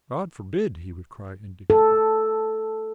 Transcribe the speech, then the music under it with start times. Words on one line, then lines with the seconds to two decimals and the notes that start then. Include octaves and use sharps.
"God forbid!" he would cry indignantly.
1.70 A4